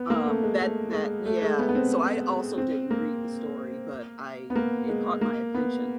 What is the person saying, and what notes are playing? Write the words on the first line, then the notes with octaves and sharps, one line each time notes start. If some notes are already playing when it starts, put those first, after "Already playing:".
um, that that Yeah, so I also didn't read the story, but I it caught my attention.
Already playing: B3
A#3
A3
G#3
A3
G#3
A3
G#3
B3
B3
C4
C4
A#3
B3
A#3
G#3
A#3
B3